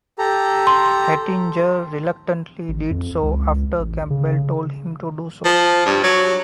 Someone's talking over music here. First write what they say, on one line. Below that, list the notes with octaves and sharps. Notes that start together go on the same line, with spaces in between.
Hettinger reluctantly did so after Campbell told him to do so.
G4 A4 A#5
C6
A1
F2
C#2
A1
C#3
F3
G2
F#3